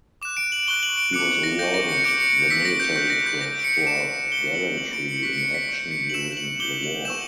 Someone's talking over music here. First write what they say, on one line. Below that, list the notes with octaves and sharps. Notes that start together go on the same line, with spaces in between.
He was awarded the Military Cross for gallantry in action during the war.
D6 F#6 E7
D7
F#7
C#6 F#6 G7
F#7
D7
D6 F#6 C#7
A#6
C#6 G6 A#6
A#6
C#7
D6 G6 D7
C#7
C#7
C#6 E6 G6 B6
A#6
G6
C#6 F#6 G6
A#6
G6
D6 G6 A#6
D7
C#7
D6 G6 E7
D6 G6 G7
F#7
D6 G6 F#7
D7
C#7
C#6 F#6 B6
D7
C#7
B6
C#6 E6 G6 C#7
C#7
F#7
C#6 E6 G6 E7
E7
F#7
D6 G6 G7
F#7
C#6 E6 G6 E7